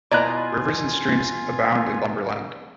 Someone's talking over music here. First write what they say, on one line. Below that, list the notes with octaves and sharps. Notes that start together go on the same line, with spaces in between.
Rivers and streams abound in Lumberland.
B2 E4 F4 D5 D#5 G#5 A#5 F#6